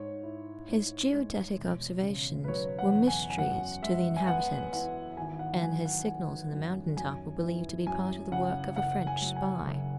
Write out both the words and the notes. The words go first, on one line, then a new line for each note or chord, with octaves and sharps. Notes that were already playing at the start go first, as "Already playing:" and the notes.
His geodetic observations were mysteries to the inhabitants, and his signals on the mountain top were believed to be part of the work of a French spy.
Already playing: G#2 C#5
E4
G#2
G#3
E1
C#3
B4
F#3 C#5
F#5
E2
G#5
G#5
F#2 F#5
G#3 E5
G#5
B3 F#5
E3 F#5
G#1 G#5
F#5
F#3 G#5
F#5
G#1 F#5
F#2
F#2 G#5
E3
F#2 G#5
C#3 F#5
F#1 F#5
G#5
F#3
G#5
F#1